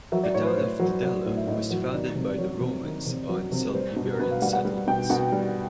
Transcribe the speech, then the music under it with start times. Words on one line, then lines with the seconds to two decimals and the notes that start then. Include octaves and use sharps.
The town of Tudela was founded by the Romans on Celt-Iberian settlements.
0.12 F#3 E5
0.23 D5
0.34 A2 C#5
0.41 B4
0.46 C5
0.57 A2 C#5
0.80 F#3
1.03 F#3
1.25 A2
1.37 E5
1.47 A2 D#5
1.71 F#3
1.93 D#3 D5
2.16 C3
2.29 D5
2.38 F#3 C#5
2.60 C3
2.83 D#3
3.07 C3
3.29 F#3
3.52 C3
3.65 B4
3.74 G3 C5
3.96 B2
4.13 A#4
4.19 B2 B4
4.31 F5
4.42 G3 F#5
4.53 F#5
4.65 G3
4.87 B2 G5
5.10 B2 F#5
5.32 G3